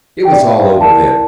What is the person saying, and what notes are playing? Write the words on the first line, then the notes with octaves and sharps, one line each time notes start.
It was all over then.
G4 D5
G5
D5
E5
F5
E4 A#4 D5 A5